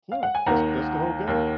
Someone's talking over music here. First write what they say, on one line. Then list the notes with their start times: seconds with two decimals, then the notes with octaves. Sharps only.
Yeah, that's that's the whole game.
0.12 F5
0.23 F#5
0.35 G#5
0.46 D#2 D#3 A#3 F#5 A#5
1.27 D#2 D#3 A#3